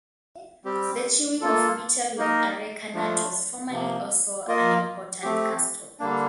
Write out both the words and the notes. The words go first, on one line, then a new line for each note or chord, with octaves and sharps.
The chewing of betel with areca nut was formerly also an important custom.
G3 C4 G4
A#3 F4 A4
A#3 D#4 A#4 D#5
F3 A3 D4 F4
C3 F3 A#3
A#3 F4 A#4 D#5
A3 C4 G4
D3 G3 A#3 D4